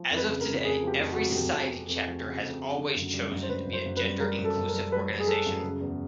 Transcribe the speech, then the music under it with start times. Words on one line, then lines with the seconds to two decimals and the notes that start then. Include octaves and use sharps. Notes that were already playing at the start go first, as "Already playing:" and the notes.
As of today, every Society chapter has always chosen to be a gender-inclusive organization.
Already playing: F3
0.11 F2
0.17 B4
0.28 C#3
0.41 A#4
0.46 C#3
0.65 F2 G#4
0.83 F3 G4
0.99 F2
1.12 F#4
1.18 F2
1.35 F2 G4
1.54 F2
1.72 F2
1.89 F2
2.07 F3
2.24 C#3
2.42 F2
2.60 C#3
2.78 D3
2.96 F#2
3.14 G3
3.31 F#2
3.43 C5
3.49 F#2 B4
3.67 F#2
3.73 C5
3.86 F#2
3.97 B4
4.02 G3
4.20 G3 A#4
4.38 F#2
4.45 A4
4.57 F#2
4.68 A#4
4.75 G3
4.92 G3 B4
5.09 G3
5.20 G#4
5.28 G3 A4
5.46 F#2
5.63 C#3
5.81 E2